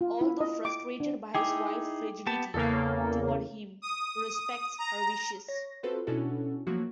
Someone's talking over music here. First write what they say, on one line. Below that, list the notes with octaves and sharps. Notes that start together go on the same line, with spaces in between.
Although frustrated by his wife's frigidity toward him, he respects her wishes.
F4
E4
D#5
D6
D4
D#4 E4 G#4 G5 D6
B3 G4 A5
E2 C#3 A#3 A4
D#6
A#5
C#5 A#6
C4 F4 F#4 A4 B4 C5
B2 C#4 D4 E4 F#4 A4
F3 F#3 A3 A#3 F#4